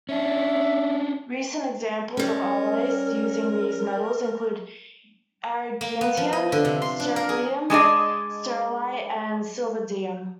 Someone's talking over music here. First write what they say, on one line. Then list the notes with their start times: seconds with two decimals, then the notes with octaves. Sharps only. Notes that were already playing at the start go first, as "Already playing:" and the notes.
Recent examples of alloys using these metals include Argentium, Sterlium, Sterilite, and Silvadium.
0.09 C#4 D4 E5
2.17 G3 C#4 A#4
5.81 A#3
6.01 B3
6.17 F3
6.33 D#5
6.52 D3
6.65 C3
6.82 C6
7.00 D4
7.16 A#4
7.29 G#4
7.70 G#3 D4 G#4 D#5